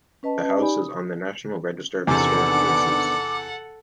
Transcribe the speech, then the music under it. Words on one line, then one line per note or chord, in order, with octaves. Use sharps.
The house is on the National Register of Historic Places.
C#4 B4 D#5 A5
D#4 G4 D5 G#5 B5
D#6
E2 C3 D#3 B3 D4 A4 F#5 D6